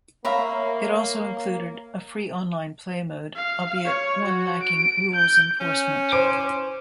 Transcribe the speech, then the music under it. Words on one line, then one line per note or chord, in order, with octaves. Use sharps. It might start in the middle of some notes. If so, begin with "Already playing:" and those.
It also included a free online play mode, albeit one lacking rules enforcement.
A#3 C#5 E5 F5 A#5 B5
F5
C#5
F#4
D7
G6
C#4
C5 D6 D7